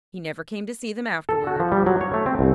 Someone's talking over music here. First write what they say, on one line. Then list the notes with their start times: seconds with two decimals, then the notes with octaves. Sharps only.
He never came to see them afterward.
1.29 A4
1.47 F#4
1.60 F3
1.72 G3
1.86 F#3
2.01 C#5
2.14 A3
2.26 C4
2.39 C2